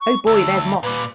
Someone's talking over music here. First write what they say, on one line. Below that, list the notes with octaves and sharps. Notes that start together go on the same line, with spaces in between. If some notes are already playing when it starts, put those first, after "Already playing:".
Oh boy, there's 'Mosh'.
C#6
D2 E6
A#2 G3 B4